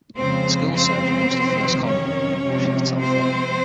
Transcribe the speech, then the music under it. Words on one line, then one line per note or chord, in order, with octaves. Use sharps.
The school serves most of First Colony, and a portion of Telfair.
F2 C#3 G#3 C4 C5
C4 C5
F2 C3 D#3 F#3
C#4 C#5
C3 F3 G#3
C4 C5